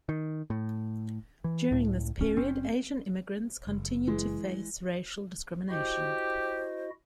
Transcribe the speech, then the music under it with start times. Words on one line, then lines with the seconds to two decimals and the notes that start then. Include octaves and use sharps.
During this period, Asian immigrants continued to face racial discrimination.
0.09 D#3
0.50 A2
1.44 E3
1.71 C#2 A2
2.17 D1 C#4
2.36 F#1 C4 C#4
3.67 F#1
4.07 E3 G#3
5.69 E4 F#4 G4 C5 D#5